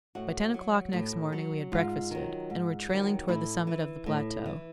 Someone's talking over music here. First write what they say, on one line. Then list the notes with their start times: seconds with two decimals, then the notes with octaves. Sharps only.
By ten o'clock next morning we had breakfasted, and were trailing toward the summit of the plateau.
0.15 A2 F#4
0.54 F#3
0.93 A2
1.33 F#3
1.72 G#2 F4
2.11 D#3 F#3
2.50 G#2
2.89 D#3 F#3
3.28 A2 E4
3.67 E3
4.06 A2
4.46 E3